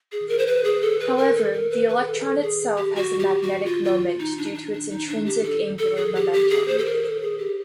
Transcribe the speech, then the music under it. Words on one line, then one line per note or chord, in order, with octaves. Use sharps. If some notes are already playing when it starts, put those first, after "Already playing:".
However, the electron itself has a magnetic moment due to its intrinsic angular momentum.
G#4
A#4
C5
B4
G#4
A4
B4
A#4
A4
A#4
B4
B4
G#4
A4
A#4
A4
G#4
G4
F#4
G4
F#4
F4
F4
D#4
D4
D4
D4
D#4
D4
G4
A4
A4
G#4
G4
G4
G#4
C5
A4
A#4
A4
G#4
G4